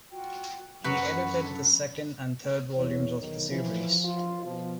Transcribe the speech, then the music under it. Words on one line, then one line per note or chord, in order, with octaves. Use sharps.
He edited the second and third volumes of the series.
F4 F#4 G5
F#2 F#3 F#4 B4 F#5
D4 A4
E2 C#5
B1 D#3
E3 F3
F4
B2 F3